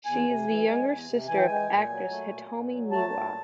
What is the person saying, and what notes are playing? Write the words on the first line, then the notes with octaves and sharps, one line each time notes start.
She is the younger sister of actress Hitomi Miwa.
E2 G#5
C3
E3
G#3
E2
C3
E3 G#5
G5
G#3 G#5
A#2
F#3
A3
A#2
A#2
F#3
A3 A5
A#2